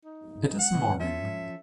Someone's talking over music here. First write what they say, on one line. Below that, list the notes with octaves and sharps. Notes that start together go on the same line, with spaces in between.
It is morning.
D#4
F#5
B2 D#3
F3 C#4 A4 E5